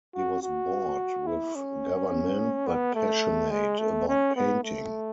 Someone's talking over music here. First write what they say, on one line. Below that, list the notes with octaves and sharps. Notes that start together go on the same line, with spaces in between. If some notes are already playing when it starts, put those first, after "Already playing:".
He was bored with government, but passionate about painting.
F#4
F#4
E4
C#4
B3
A3
G#3
A3
C#4
B3
A3